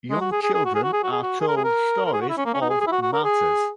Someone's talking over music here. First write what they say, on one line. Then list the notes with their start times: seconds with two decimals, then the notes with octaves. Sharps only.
Young children are told stories of "martyrs".
0.11 G#3
0.21 F#4
0.32 G#4
0.42 G#4
0.54 G#4
0.65 F#4
0.75 G#4
0.83 F#4
0.93 G#4
1.03 F#4
1.12 G#4
1.23 F#4
1.40 G#4
1.48 A#4
1.57 G#4
1.64 A#4
2.06 A#4
2.13 G#4
2.21 F#4
2.29 E4
2.37 C#4
2.45 A#3
2.54 C#4
2.61 D#4
2.70 G#4
2.81 G#4
2.87 E4
2.92 F#4
3.02 F#4
3.13 A#4
3.24 G#4